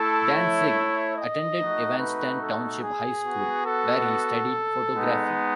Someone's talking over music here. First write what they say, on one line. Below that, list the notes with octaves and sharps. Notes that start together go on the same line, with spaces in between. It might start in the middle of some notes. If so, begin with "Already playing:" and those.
Dantzig attended Evanston Township High School where he studied photography.
Already playing: A3 E4 A4
C#5
D#5
A3 D#4 F#4
B4
A4
G#4
B3 F#4
A4
G#3 B3 D#4